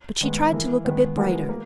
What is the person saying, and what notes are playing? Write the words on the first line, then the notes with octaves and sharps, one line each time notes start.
But she tried to look a bit brighter.
D#3 G#3 B3
E3 A#3 E4 A#4
D#3 G#3 B3
E3 G#3 B3 F#4 A#4
A#3